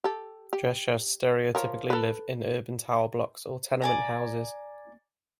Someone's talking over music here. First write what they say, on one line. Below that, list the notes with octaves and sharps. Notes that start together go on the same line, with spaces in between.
Dresiarze stereotypically live in urban tower blocks or tenement houses.
G4 A4
G4
F3 A#4 C#5
A4 B4
D5 G#5 A#5